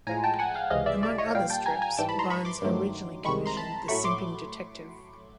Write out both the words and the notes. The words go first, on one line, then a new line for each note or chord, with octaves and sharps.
Among other strips, Barnes originally commissioned "The Simping Detective".
A2 F3 G#3 G#5 A#5
G5 A5
F#5 G#5
F5 G5
C#2 C3 E3 G#3 D#5 F5
D5 E5
D5 E5
C#5 D#5
A#2 G3 F5 G5
G5 A5
G#5 A#5
G#5 A#5
G#2 E3 G3 G5 A5
A5 B5
A#5 C6
B5 C#6
C6 D6
G2 D#3 F#3 A3
C2 C3 D#3 G#3 B5 C#6
A#5 C6
A5 B5
A2 F#3 A3 B5 C#6
C6 D6